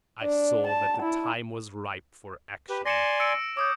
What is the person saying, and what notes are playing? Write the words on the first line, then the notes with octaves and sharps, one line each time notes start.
I saw that the time was ripe for action.
D4
A5
E4
G4 B4
D5 G#5 C6 A#6 C#7 E7
E6 C#7 D7
C#5 D6 D#6 G6